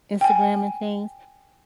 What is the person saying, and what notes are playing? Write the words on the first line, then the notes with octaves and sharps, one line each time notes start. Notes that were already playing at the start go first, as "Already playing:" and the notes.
Instagram, and things,
G5 G#5